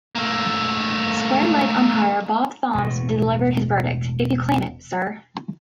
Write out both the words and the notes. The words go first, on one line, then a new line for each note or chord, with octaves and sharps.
Square-leg umpire Bob Thoms delivered his verdict: If you claim it, Sir!
A3 A#3
E1 A2